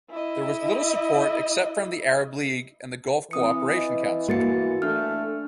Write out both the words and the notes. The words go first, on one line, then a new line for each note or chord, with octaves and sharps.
There was little support, except from the Arab League and the Gulf Cooperation Council.
E4 D#5
E3 C4 D#6 C#7
D#5
A#3 F#4 A6 C#7
A3 D4 F6